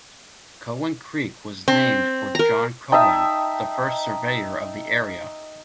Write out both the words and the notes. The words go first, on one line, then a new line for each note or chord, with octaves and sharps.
Cowan Creek was named for John Cowan, the first surveyor of the area.
C4
A#4 A#5
D#4 E5 G5 A5 D#6